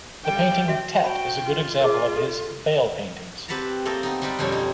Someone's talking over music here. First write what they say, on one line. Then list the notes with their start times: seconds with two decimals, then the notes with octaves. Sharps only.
The painting "Tet" is a good example of his "Veil Paintings".
0.24 G3 G5
0.68 F#4 E5
1.02 F#4 C5 G5 A5 B5
1.44 F4
1.81 G#4 A#4
2.17 A4
3.48 C4 G4 B4 F#5 A5 A#5
3.85 A3 A#3 C4 A4 D#5
4.03 B3 D#4
4.22 G3 C4 D#4 B4 G5
4.39 F2 B2 G3 C4 C#4 C#5
4.52 D#4